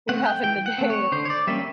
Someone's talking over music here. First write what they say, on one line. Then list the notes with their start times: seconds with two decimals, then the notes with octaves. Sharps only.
we have in the day, and
0.09 A3 C4 F#5
0.26 G5
0.44 E3 G5
0.66 F#5
0.78 A3 C4
0.90 C#5
1.12 D3 C5
1.25 C#5
1.30 D5
1.47 G3 A#3 C#4 E5